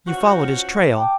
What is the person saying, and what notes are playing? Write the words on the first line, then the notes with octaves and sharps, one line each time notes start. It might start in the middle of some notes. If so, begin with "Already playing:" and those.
"You followed his trail?"
F3 C#4 F#4
G5 A5 D6